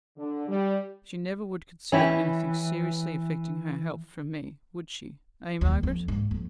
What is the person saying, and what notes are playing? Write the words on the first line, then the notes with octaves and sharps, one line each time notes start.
She never would conceal anything seriously affecting her health from me: would she, eh, Margaret?
D3
G3
E3 C#4 E4 G4
D#2
F2
G#2
F2